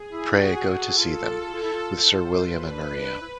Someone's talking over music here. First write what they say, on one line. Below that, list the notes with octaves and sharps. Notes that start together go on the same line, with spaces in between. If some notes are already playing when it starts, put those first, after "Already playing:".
Pray go to see them, with Sir William and Maria.
Already playing: G#4
E4
F#4
F#4
F#4 A4
F4
F4 A4
E4
F4
E4
F4 C5
B4
D4
E4